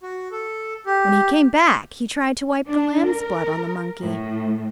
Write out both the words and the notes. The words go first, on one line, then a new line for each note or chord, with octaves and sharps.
When he came back he tried to wipe the lamb's blood on the monkey.
F#4
A4
G4
D4
A#4
A2